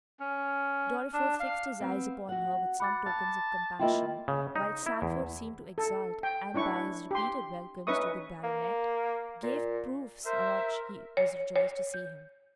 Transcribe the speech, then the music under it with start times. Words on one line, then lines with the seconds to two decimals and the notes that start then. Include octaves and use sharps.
Dorriforth fixed his eyes upon her with some tokens of compassion, while Sandford seemed to exult, and by his repeated "Welcomes" to the Baronet, gave proofs how much he was rejoiced to see him.
0.20 C#4
1.13 D4
1.40 F5
1.80 B3 C4
2.29 F#4 F#5
2.80 F#5 B5 D6 A6
3.06 F5 A5
3.79 A#3 E4 F4 D#5 G5
4.28 C#3
4.56 D#4
4.86 E4
5.02 E2
5.78 A4
6.23 G5
6.54 C#4 D4 E4 C#6
7.11 G4 C6
7.87 C#4 D#4 B4 E5 C#6 D#6
8.44 A#3
9.43 A#2
10.26 A#4 C5 E5
11.17 C#5
11.56 C#5
11.94 G6